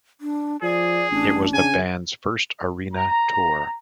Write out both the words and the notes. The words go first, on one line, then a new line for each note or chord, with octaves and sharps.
It was the band's first arena tour.
D4
F3 G#4 D5
A1 D4
C#3 G#5
A#5